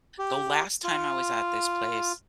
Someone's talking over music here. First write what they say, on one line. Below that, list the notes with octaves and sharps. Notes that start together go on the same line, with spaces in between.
the last time I was at this place,
G4
F4